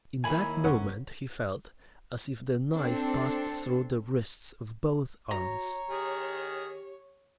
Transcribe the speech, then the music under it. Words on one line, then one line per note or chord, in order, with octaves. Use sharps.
In that moment he felt as if the knife passed through the wrists of both arms.
D#2 A#3 E4 G#5 B5
F#1 F2 F#3 C#4 F#5
C4 D4 A4
F#4 C#5 A#5
D#3 G4 G#4